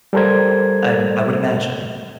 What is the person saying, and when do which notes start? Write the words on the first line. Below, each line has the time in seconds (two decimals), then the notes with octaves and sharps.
I I would imagine.
0.13 G3 A4 A#4 C5 G#6